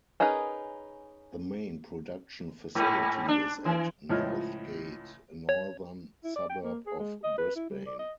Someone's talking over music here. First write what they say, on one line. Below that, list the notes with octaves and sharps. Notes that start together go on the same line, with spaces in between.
The main production facility is at Northgate, a northern suburb of Brisbane.
C#4 D#4 G#4 A#4 B4
G#2
D4
E3
C#2 A2 F3 C#5 D#5 F6
C#5
E4
D5
G5
A#3
G#4
G#3
D#5
B4
E4
G3
D5
D#5